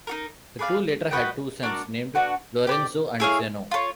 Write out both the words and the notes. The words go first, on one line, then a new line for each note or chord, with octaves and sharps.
The two later had two sons named Lorenzo and Zeno.
D#4 F#4 A#4
G#4 B4 D5 F5
F#4 B4 D#5 G5
D4 F#4 A#4 D5
D4 F#4 B4
G4 B4 D5
E4 G#4 C#5 F5
F4 A4 C#5